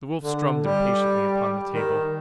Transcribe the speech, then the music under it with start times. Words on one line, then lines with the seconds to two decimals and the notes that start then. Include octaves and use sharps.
The Wolf strummed impatiently upon the table.
0.23 D3
0.63 G3
1.73 D#3